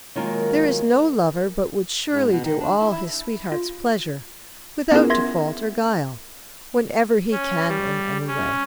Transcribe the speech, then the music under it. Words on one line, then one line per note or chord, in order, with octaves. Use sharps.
There is no lover but would surely do all his sweet-heart's pleasure without default or guile, whenever he can in any way.
D#3 F#3 G#3 A#3 F4 A#4
G#2
B2
D#3
D4
E4
E4
F4
B3 C#4 E4 F4 G#4 A#4
E5 C6 G#6 A#6
C#4
G3
C#4